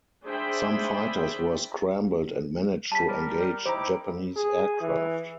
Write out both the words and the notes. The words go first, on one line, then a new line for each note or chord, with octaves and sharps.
Some fighters were scrambled and managed to engage Japanese aircraft.
D4 G#4 C5 E5 G5 B5
G3 A5 B6
G3 A#4
D#4 E4 G4 C5 A#5 D6
G#4
E3